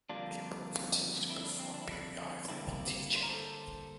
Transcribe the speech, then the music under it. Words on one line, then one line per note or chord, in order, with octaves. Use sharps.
Kimball continued to perform periodically while teaching.
F2 D3 G3 A#3 D4 F4
C4 E4
D4
C4
D4
E4
D4
G2 D3 G3 A#3 C4 E4
C5
A#4
A4 C5